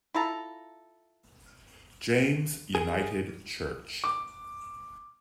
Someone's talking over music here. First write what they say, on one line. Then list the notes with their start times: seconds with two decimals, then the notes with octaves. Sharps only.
James United Church.
0.14 E4 F4 A4 A#5
2.75 G#4
4.04 D6